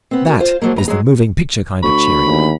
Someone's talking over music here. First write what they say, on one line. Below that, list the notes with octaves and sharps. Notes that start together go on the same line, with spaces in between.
That is the moving picture kind of cheering.
B3 C4
F#4 G4 A#4
F4 C5 F5
F3 F#3 G#3 A#3
A2 B3 A#5
F#3 G#3 G#4
D2 B5 C#6
D#2